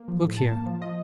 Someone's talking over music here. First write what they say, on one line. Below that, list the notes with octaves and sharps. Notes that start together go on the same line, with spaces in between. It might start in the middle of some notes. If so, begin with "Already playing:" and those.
Look here!'
Already playing: A#3
F3
A2
A2 A5
A#3
F3
F3 D#5